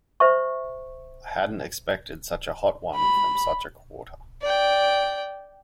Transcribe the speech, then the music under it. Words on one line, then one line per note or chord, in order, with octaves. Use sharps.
I hadn't expected such a hot one from such a quarter.
C5 E5 C#6
B5
D5 G5